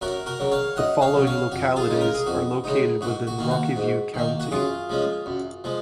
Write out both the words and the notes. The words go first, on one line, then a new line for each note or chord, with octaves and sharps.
The following localities are located within Rocky View County.
F#2 F#4 A#4
F#4 A#4
C#3 F#3
C#5 F5
F#2 D#5 F#5
C#5 F5
C#3 F#3
C#5 F5
F2 F#4
F4 G#4
C#3 G#3 D#4
A#4
G#4
F2 F#4
C#3 G#3 D#4
G#2 F#4
F#4
D#3 A#3
F#4
G#2
D#3 A#3
F#4
F#2 F4 G#4
F3 G#3 C#4
F#2
F3 G#3